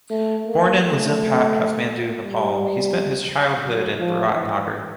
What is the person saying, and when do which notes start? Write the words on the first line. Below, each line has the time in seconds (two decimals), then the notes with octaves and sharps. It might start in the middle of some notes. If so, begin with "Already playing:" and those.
Born in Lazimpat, Kathmandu, Nepal, he spent his childhood in Biratnagar.
0.10 A3
0.47 A#3
0.81 A3
2.23 G3
3.64 F#3
3.99 F3
4.34 E3